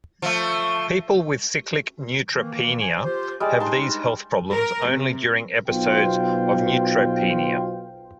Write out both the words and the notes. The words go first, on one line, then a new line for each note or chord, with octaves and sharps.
People with cyclic neutropenia have these health problems only during episodes of neutropenia.
F3 A3
D#3 E3 A#3
C5 G#5
F4 G4 C5
G3 G#3 E4 D5
G#3 D4 D#4 A5 C6
A#4
C3
B1 B2 B3 F4 C5 G5